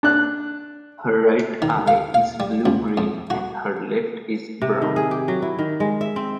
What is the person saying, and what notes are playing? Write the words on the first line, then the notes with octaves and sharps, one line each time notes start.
Her right eye is blue-green and her left is brown.
D4 F#6
D#3
F5
F5
G3
C#2
F2
F#4
C3
D#3
G#4
G4
F#3
E4
D#3
G#3
E5
C4